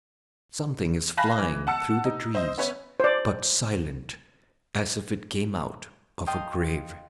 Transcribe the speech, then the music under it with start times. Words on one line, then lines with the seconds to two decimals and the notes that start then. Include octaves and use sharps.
Something is flying through the trees, but silent as if it came out of a grave.
1.17 F5 G#5 A5 B5 F#6 A#6
1.38 E3
1.67 F#5 A5 E6 C#7
2.05 D#4
2.35 C5 D#5
2.58 B3 C#4 B4 C#5
3.00 C5 D5
6.27 D#5 F5 G5 A5 C6 D#6